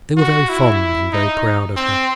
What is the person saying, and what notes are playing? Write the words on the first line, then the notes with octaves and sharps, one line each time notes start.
They were very fond and very proud of her.
F#4
E4
D#4
C4